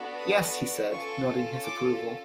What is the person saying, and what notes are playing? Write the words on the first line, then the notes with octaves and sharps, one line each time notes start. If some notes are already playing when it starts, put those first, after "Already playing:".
"Yes," he said, nodding his approval.
Already playing: B3 D4 F#4 A4
D#6
C#4 F4 A4 C#6
D6